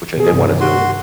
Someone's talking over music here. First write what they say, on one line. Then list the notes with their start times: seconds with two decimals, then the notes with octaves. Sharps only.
which I didn't wanna do."
0.17 B2 G#4
0.33 G2 C3
0.61 F#4 C6